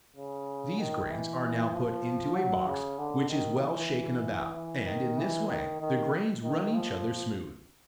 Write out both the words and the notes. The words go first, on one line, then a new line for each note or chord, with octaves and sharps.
These grains are now put into a box, which is well shaken about, and in this way the grains run each other smooth.
C#3
D#3
E3
F3
F#3
C#3
D3
D#3
E3
E3
D#3
E3
D#3
D#3
D#3
F3